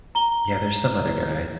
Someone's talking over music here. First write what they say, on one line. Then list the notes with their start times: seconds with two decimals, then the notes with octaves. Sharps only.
Yeah, there's some other guy.
0.15 A#5 G7